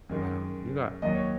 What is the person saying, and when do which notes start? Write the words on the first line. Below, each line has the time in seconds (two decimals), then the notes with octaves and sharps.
Wow. You got
0.09 F#2 D#3 G#3
1.02 D#2 D#3 F#3 D#5
1.15 C#5